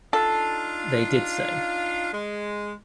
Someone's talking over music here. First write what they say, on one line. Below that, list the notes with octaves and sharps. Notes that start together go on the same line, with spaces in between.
They did so.
D4 D#4 F4 A4
G#3